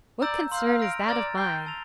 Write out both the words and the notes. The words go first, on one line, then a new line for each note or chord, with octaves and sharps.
"What concern is that of mine?"
D5 A#5 E6 G6
F5 C6 E6 G6
F6 A#6 D7 F7
D5 A#5 F6 A6
G5 G6 C7 G7
A5 E6 A#6 F7